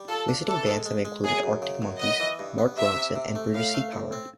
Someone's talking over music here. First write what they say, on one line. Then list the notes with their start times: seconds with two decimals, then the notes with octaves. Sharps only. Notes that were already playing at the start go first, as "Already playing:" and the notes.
Visiting bands have included Arctic Monkeys, Mark Ronson and British Sea Power.
Already playing: G3
0.08 F4 A4
0.28 D4
0.47 E3 A4
0.67 G#3
0.86 G#3
1.05 G#3
1.24 F#2 G#4
1.43 F#2
1.62 C#3
1.82 F#2
2.01 B3 D#5
2.20 E3
2.39 G2
2.58 B3
2.78 C3 E5
2.97 C3
3.16 C3
3.35 A3
3.54 A2 F5
3.74 A3
3.93 A2
4.12 C4